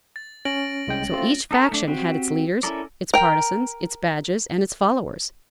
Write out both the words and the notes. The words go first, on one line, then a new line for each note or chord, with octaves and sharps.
So each faction had its leaders, its partisans, its badges, and its followers.
A6
C#4 A#6 D7 F#7
C2 G#3 G5
A3 C4 F4
D#4 A4 A#4 A5
A3 D4
C4 F#4 G4
C#4 E4 A4 A#4 D5
A#4 G5